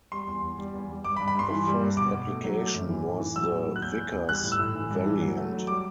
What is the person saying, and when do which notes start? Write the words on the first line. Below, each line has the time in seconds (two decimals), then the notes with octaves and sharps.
The first application was the Vickers Valiant.
0.12 G3 C6
0.27 E2
0.42 E2
0.58 G3
0.74 E2
0.89 G3
1.04 G2 D6
1.16 B5
1.20 G2
1.28 B5
1.35 G2 C6
1.51 E3
1.66 G3
1.81 G2
1.97 B2 D6
2.12 B2
2.27 A3
2.44 F#3
2.58 A3
2.74 F#2
2.89 E3
3.05 A2
3.20 E3
3.36 F#3 E6
3.51 A2
3.66 F#3
3.76 F#6
3.82 E2 G6
3.98 E2
4.13 E2
4.29 G3 F#6
4.44 A2
4.52 E6
4.59 A2
4.75 E3
4.91 G2
5.06 E3
5.21 F#3
5.36 A3
5.53 F#3
5.67 G3 D6